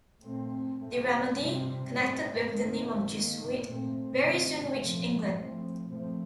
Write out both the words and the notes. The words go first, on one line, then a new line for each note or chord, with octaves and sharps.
The remedy - connected with the name of Jesuit - very soon reached England.
A#2 A3 C4
A2 A3 C4
C3 G3 C4
A2 G3 C4
D#3 A3 C4
D#3 A#3
A#2 A3 C4
C3 D#3 A3 C4
A#2 F3 A3 C4
A2 F3 A3 C4
A#2 F3 A3 C4